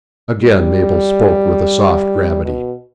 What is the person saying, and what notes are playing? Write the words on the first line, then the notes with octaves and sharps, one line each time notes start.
Again Mabel spoke with a soft gravity.
G3
B2